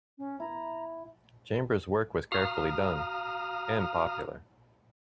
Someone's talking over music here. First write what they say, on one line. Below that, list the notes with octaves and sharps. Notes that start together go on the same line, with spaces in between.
Chambers' work was carefully done, and popular.
C#4
E4 A#5
F#4 F5 A#5 D#6 F6